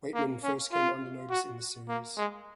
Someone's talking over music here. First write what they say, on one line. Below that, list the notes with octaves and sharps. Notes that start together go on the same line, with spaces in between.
Weightman first came under notice in this series.
A#3
C#4
F4
F#4
A#3
G#3